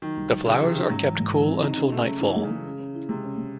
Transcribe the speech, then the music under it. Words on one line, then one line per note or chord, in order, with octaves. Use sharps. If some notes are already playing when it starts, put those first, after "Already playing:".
The flowers are kept cool until nightfall.
D#3 F#3
C2
F#3
C#3 F#3
C3 F#3
D#3 C#4
G#2 F#3
E3
G#2
E3
C4
D#4
F#3
C#3 G#3
C#3 A3
C#3 F#3
E3 D#4
G#3
C#3
G#3
C#4
C#4
E4
C3 G#3
C#4
G#3